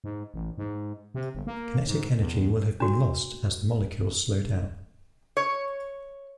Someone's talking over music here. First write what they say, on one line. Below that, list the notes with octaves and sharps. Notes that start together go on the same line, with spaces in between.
Kinetic energy will have been lost as the molecules slow down.
G#2
A1
G#2
C3
G1
A#3
G#2
E2
D4 F#4
C#5